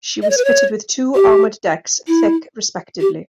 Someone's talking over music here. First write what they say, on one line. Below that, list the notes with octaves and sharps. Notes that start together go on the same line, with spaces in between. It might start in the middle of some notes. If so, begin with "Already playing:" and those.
She was fitted with two armoured decks, thick, respectively.
D#5
C#5
B4
C#5
G4
E4
G4